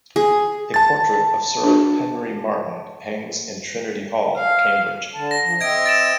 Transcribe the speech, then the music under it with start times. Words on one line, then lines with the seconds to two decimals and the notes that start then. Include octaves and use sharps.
A portrait of Sir Henry Martin hangs in Trinity Hall, Cambridge.
0.16 G#4
0.74 A5 A6
1.63 D4 F#4
4.37 F5
5.15 D3 A5
5.31 A#6
5.43 F3
5.61 C4 D#5 E5 G#6 D7
5.86 A6 D7 E7